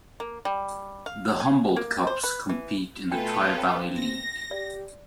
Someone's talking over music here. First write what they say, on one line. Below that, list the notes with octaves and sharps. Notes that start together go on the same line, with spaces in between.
The Humboldt Cubs compete in the Tri-Valley League.
A#3
G3
F5
G#5
A#3
C5
B4
E3
B2 A3 F4 A4 B4 G5 G#5
C4 G5
A#6
G4 D5